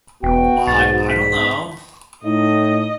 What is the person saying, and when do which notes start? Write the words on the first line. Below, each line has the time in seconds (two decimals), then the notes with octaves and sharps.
Like, I don't know.
0.23 E1 B3 F#4 G5
0.67 B1 G#2 A6
1.09 B6
2.24 A2 D#4 D#5